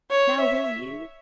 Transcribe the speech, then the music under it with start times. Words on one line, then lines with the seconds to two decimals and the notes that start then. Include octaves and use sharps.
Now, will you?'
0.11 C#5
0.40 E5